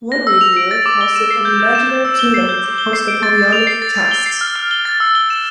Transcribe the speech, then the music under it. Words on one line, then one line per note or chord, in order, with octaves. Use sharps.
One reviewer calls it "an imaginary kingdom with a post-Napoleonic cast".
A#6
E6
F7
D7
A6
D6
G7
E7
C7
G6
G6
E7
G6
E6
G7
C7
G6
D6
G7
C7
D7
A6
A6
F7
C7
A6
A6
G7
C7
F6
F6
G7
A6
E6
G7
E7